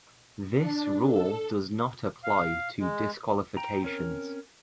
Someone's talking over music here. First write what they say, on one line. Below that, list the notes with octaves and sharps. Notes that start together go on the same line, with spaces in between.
This rule does not apply to disqualifications.
D4
A4
F5
G#3
G5 A#5
C4 C#4 A#4